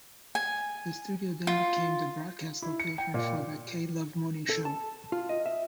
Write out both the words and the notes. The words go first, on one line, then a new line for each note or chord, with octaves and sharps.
The studio then became the broadcast location for the "K-Love Morning Show".
G#5
F4
E4
C#7
G5
A#2
A4
A5
F4
D#5
E5